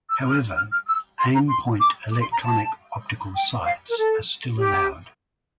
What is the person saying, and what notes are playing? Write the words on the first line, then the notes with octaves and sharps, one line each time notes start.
However, Aimpoint electronic optical sights are still allowed.
E6
F6
F6
F6
E6
C6
A#5
C6
D6
D6
C6
A#5
A5
G5
F5
A#4
A4
G4